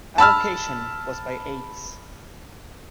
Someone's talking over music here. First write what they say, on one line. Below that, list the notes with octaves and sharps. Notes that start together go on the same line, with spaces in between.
Allocation was by eighths.
A5 B5 E6 F6